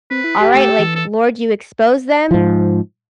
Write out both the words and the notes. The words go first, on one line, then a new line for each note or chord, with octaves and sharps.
All right, like, "Lord, you expose them,
C4 B4
E4
G4 D7
A3 A4
E3
A4
G#2 F3